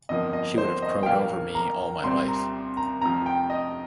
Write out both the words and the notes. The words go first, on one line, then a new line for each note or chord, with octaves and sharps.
She would have crowed over me all my life.
G1 F2 F3 A#3 D#5
D#5
C5
D#5
G5
A#1 A#2 A#3 F5
A#5
C2 A#2 G3 C4 C6
A#5
A#5
F1 F2 F3 A#5
G5
D#5